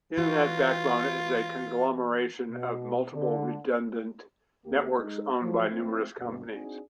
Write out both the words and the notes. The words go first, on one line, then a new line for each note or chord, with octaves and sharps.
The Internet backbone is a conglomeration of multiple, redundant networks owned by numerous companies.
E3 F4 F#4
B2
D3
D2 A#3 G4
G#3 D#4
F3 F#3
F3 A3 A#3 C4 E4 F4
D2 G2 B2
C4 D4 D#4 F#4 G#4